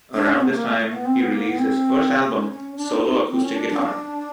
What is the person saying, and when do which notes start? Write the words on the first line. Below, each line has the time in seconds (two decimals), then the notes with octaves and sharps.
Around this time, he released his first album, "Solo Acoustic Guitar".
0.14 D4
0.27 C#4
0.41 B3
0.48 A3
0.53 A#3
0.66 A3
0.79 A3
0.93 B3
1.05 C4
1.19 B3
1.32 A#3
1.46 B3
1.58 C4
2.24 C#4
2.51 C#4
2.76 D4
2.90 D#4
3.03 D#4
3.29 C4
3.42 C#4
3.55 D4
3.69 D4
3.77 C#4
3.82 D4